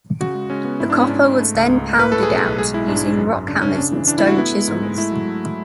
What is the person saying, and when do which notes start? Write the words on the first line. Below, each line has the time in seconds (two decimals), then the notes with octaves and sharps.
The copper was then pounded out, using rock hammers and stone chisels.
0.20 C#3 F#4
0.35 G#3
0.50 G#3 C#4
0.65 B3
0.80 G#2 E4
0.90 D4
0.95 G#2 C#4
1.09 G#2 D4
1.25 G#2
1.39 A3
1.54 C#2
1.69 C#2
1.84 A3
1.99 A2 B4
2.12 A2 A4
2.23 G#4
2.30 B1
2.36 A4
2.44 B1
2.58 G#3 G#4
2.74 G#3 E4
2.88 G#2 D4
3.04 G#2
3.18 F#2
3.33 F#2
3.48 C#3 D4
3.61 C#3 C#4
3.75 C#3 D4
3.92 E3
4.07 E3 D4
4.18 E4
4.22 A3 F#4
4.37 B3 E4
4.52 G#3
4.68 G#2
4.83 G#3
4.97 A3 E4
5.12 F#3
5.27 A3